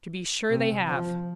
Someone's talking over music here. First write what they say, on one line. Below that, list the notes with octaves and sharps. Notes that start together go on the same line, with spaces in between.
"To be sure they have."
C3
F3